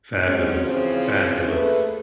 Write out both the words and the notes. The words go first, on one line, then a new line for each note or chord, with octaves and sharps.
Fabulous, fabulous.
F#3 G#3 C4 C#4
C#3 E3 F3 C4 C#4
A3 A#3 G#4 B4